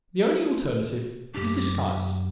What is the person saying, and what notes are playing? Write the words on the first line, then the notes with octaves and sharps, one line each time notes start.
The only alternative is disguise.
F#2 D4 G4